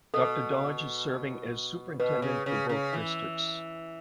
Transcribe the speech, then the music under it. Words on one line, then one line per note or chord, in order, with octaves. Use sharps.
Doctor Dodge is serving as superintendent for both districts.
B2 A4
B2 B4
C#3
C#3
C#3
E3